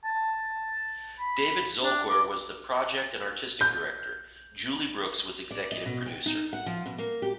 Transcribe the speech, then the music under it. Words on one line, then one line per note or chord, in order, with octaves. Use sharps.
David Zolkwer was the Project and Artistic Director, Julie Brooks was Executive Producer.
A5
B5
D4
D6
G6
D5
D#5
B2
G5
D#4
F#5
F3
B2
A#3
G4